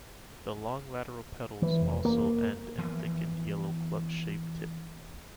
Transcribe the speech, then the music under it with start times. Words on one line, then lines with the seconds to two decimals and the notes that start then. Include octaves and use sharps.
The long, lateral petals also end in a thickened, yellow club-shaped tip.
1.62 E3
1.81 F1
2.05 A#3
2.78 E3 F3 B3